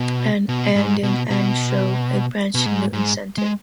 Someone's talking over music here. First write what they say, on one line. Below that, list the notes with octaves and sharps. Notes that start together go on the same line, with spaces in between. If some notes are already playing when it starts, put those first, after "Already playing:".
An and an show a branch to Newton Centre.
Already playing: B2
B2
G#2
B2
B2
B2
G#2
G#2
G#3